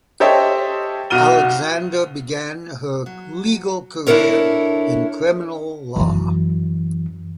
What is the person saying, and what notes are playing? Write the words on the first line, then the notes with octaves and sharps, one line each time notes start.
Alexander began her legal career in criminal law.
G4 A4 C5 C#5 D#5 E5
B1 F#4 F6 D#7 G7
F#3
D4 E4 F4 A4 A#4 C#5
F#2 E3